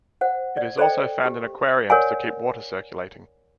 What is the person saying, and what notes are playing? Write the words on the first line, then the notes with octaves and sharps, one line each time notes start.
It is also found in aquariums to keep water circulating.
C5 F#5
D5
A4 C5 D5 D#5 G5
G4
A#4 C#5 D5 F#5 G#5